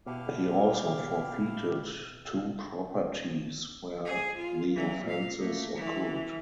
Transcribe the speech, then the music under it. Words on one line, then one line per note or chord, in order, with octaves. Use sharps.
He also forfeited two properties where the offences occurred.
B2 E4 G4 F5
G#4
F4
E3 F#3
A#2 F5
A3 A#3
E3